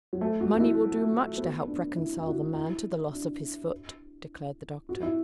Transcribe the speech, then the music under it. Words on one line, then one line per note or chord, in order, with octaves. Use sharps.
"Money will do much to help reconcile the man to the loss of his foot," declared the doctor.
F#3
A3
F#4
F#4
E4
B3
D4
E4
E4
F#4
E4
D4
F#4
E4